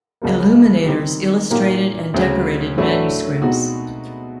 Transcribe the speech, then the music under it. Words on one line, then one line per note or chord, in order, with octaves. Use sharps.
Illuminators illustrated and decorated manuscripts.
C#2 C#3 F#3 A#3
D#3 G3 C4 D#4 G4
A#2 F#3 A#3 D#4 G4
D2 C#3 F#3
A2 F#3 A3 D4 F#4
B2 G#3 C4 D#4 F#4